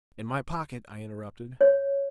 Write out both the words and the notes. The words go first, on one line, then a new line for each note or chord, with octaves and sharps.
"In my pocket!" I interrupted.
C#5